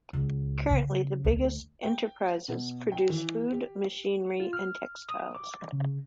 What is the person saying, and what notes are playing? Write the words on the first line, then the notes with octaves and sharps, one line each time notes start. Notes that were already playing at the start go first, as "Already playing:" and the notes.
Currently, the biggest enterprises produce food, machinery, and textiles.
C#2
C#3
D2
G5
B2
G5
E3
G4
F4
F6
D#6
D6
C#3